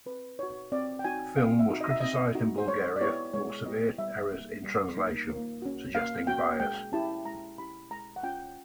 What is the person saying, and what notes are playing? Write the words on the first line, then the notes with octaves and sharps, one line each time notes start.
The film was criticised in Bulgaria for severe errors in translation, suggesting bias.
C4 B4
D#4 F#4 C#5
C4 D5
G5
D#4 F#4 G#5
C4 F5
E5
D#4 F#4
D#5
E5
C4 D#5
D#4 F#4
C5
G#3 C#5
D5
B3 E4 G4 C#5
G#3 C#5
B3 E4 G4 D#5
G3 E5
A#3 D#4
G3
A#3 D#4
A#3
C#4 F#4
A#3 F5
C#4 F#4 G5
G#3 G5
C#4 E4 G4 A5
G#3 A#5
C#4 E4 G4 B5
G#3 A#5
F#5
C#4 F4 G5